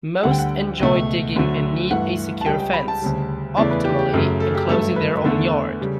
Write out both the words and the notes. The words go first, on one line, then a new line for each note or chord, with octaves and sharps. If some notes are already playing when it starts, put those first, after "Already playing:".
Most enjoy digging and need a secure fence, optimally enclosing their own yard.
D2 D3 G3 F#5
G5
F#5
C#2 B2 A3
D2 D3 F#3 A3
G2 E3 A3 F#5
A5
C#2 C#3 G3 G5
G5
B5
A5
D2 C#3 G3
E2 C#3 E3 A3 D5
B4
G4
G4
F#2 C#3 F#3 A3 A4
A4
G4
G2 F#3 A3 A4
B4
B4
E2 D3 A3 A4
C#3 G3